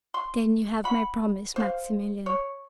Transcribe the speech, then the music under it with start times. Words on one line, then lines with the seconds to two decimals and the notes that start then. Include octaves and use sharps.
"Then you have my promise, Maximilian."
0.14 C6
0.84 F#5 B5
1.56 C5 F5
2.26 C#5